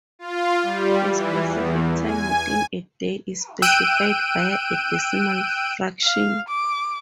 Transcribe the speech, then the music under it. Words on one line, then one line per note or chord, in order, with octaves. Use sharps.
A specific time within a day is specified via a decimal fraction.
F4
G3
E3
E2
G#5
G5 E6 F#6 G6 D7 D#7
F5
D6